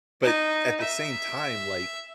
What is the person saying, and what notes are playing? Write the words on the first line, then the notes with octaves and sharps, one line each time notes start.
But at the same time, like,
D#4
E5